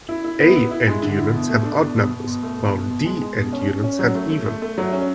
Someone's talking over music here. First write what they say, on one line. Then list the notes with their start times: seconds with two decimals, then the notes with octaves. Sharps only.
A end units have odd numbers while D end units have even.
0.09 E4
0.24 E4
0.40 B3
0.56 E4
0.71 E4
0.87 G#3
1.02 D3
1.18 E4
1.34 B2
1.49 A3
1.65 D4
1.81 B2
1.96 B2
2.12 B2
2.27 B2
2.43 A3
2.59 B2
2.74 B2
2.90 B2
3.05 G#3
3.21 G#3
3.37 B2
3.53 C#4
3.68 C#4
3.84 C#4
3.99 F#3
4.15 A3
4.30 A3
4.46 A3
4.62 A3
4.78 F#3
4.93 C#4